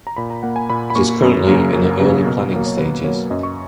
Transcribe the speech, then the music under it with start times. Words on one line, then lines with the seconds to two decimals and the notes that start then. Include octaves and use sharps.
It is currently in the early planning stages.
0.07 A#5
0.16 A#2 B5
0.30 A#5
0.43 A#3 F#5
0.56 G#5
0.70 A#2 B5
0.90 B5
0.95 A#3 C#6
1.22 F#2
1.47 C#3 F#3 A#3 A#4
1.73 F#2
2.00 C#3 F#3 A#3
2.26 B2
2.52 F#3 A#3
2.66 C#5
2.78 B2 B4
3.04 F#3 A#3 C#5
3.30 F#2 D#5
3.43 C#6